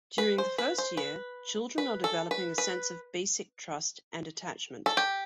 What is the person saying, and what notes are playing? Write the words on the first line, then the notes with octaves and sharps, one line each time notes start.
During the first year, children are developing a sense of basic trust and attachment.
B4
C5
B4
C5
B4
B4
A4
B4
B4
A4
G4